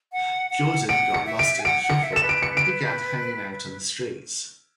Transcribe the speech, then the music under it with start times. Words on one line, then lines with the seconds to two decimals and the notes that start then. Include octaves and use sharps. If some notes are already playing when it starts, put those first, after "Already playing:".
Jordan got "lost in the shuffle"and began hanging out on the streets.
0.12 F#5
0.50 F#5
0.88 F#5 D7
1.14 C#7
1.26 E5
1.39 D7
1.59 G#5
1.65 F#5 D7
1.84 F#5
1.90 C#7
2.03 E5
2.13 A4 E7
2.23 B4
2.29 D7
2.42 C#7
2.57 D7